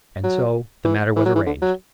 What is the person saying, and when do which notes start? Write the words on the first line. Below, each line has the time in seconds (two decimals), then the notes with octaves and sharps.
And so the matter was arranged.
0.24 F#3
0.85 E3
1.16 E3
1.25 F#3
1.35 E3
1.46 D3
1.62 F#3